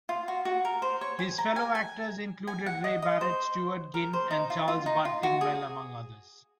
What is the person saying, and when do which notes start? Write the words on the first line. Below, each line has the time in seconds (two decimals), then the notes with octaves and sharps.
His fellow actors included Ray Barrett, Stewart Ginn and Charles "Bud" Tingwell, among others.
0.09 F4
0.28 F#4
0.45 F#4
0.65 A#4
0.82 C5
1.01 C#5
1.19 G#5
1.38 A#5
1.56 G#5
1.75 G#5
2.47 G#5
2.66 F#5
2.84 D#5
3.02 D#5
3.21 C5
3.94 A#4
4.13 C5
4.31 D#4
4.50 F4
4.68 F4
4.86 D#4
5.05 F4
5.23 F#4
5.41 G#4